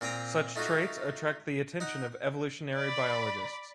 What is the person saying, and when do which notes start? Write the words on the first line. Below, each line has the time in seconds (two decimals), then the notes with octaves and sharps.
Such traits attract the attention of evolutionary biologists.
0.01 A#2 C4 G5 G#5 A#5
0.56 A3 D#4 F4 F#4
1.80 D#4 F#5
2.75 D5 B5